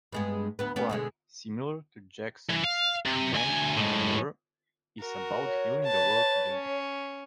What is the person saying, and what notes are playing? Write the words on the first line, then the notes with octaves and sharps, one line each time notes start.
"Cry", similar to Jackson's "Man in the Mirror", is about healing the world together.
G2 G#3 B3
D2 B3 B4
B3 C#4 G4
B2 D3 G#3
E3
F5
C3
D2 G#5
A2 G#3
F#4 A#4
C#5
B4 A5
C#4